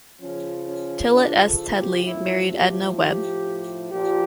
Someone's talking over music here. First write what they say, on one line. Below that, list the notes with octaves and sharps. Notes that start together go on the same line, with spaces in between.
Tillit S. Teddlie married Edna Webb.
C#3 F3 C#4
C#4
D4
A4
G4
A2 F3 E4
G4
G4
A#2 F3 G4